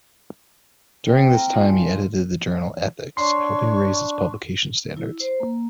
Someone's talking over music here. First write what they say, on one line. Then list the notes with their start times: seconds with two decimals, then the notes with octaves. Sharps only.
During this time he edited the journal "Ethics", helping raise its publication standards.
1.06 C4 G4
1.30 A#4 D#5
1.53 C#4 D4 F4
3.17 D4 C#5 C6 C#6
4.97 E4
5.20 C5
5.40 A#3